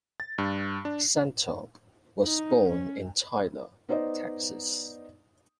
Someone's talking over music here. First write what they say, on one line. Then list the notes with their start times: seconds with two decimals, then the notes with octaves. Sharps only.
Santop was born in Tyler, Texas.
0.20 A6
0.38 G2
0.85 D4
2.23 D#4
2.70 C#4
3.89 B3 D#4 C5 D5 D#5